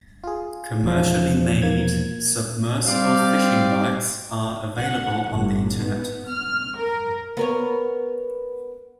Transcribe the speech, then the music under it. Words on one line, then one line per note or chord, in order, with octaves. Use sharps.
Commercially made, submersible fishing lights are available on the internet.
F4 G#4
E1 F3
B2 A#3 G#6
G3 C4 G4 C5 D5 F5
F#5
G1
B3
F6
A#4
B3 A#4 C#5